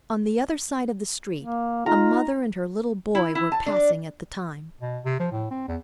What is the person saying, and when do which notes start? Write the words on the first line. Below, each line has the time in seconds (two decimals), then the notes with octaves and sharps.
On the other side of the street a mother and her little boy were passing at the time.
1.40 A#3
1.86 D#4 F4 A#5
3.15 E4
3.35 E4
3.52 A5
3.66 D4
4.80 B2
5.04 C3
5.19 F3
5.32 A2
5.50 C4
5.68 E2